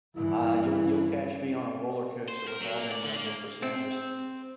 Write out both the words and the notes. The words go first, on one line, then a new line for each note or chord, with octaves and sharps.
Ah, you'll you'll catch me on a roller coaster with all them young whippersnappers,
G2 E3 E4
C5
A#4
F#3
A#3
D5
D3
A#3
C4